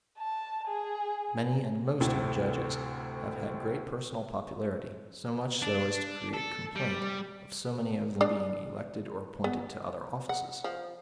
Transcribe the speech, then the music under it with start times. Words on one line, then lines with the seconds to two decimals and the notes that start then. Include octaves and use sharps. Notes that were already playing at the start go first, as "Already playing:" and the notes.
Many and most of the judges have had great personal popularity--so much so as to create complaint of so many of them being elected or appointed to other offices.
0.18 A5
0.67 G#4
2.00 D2 A2 C3
5.62 D4
6.34 A4
6.76 G3
8.21 D4 D5
9.44 B3
10.29 F#5
10.64 F3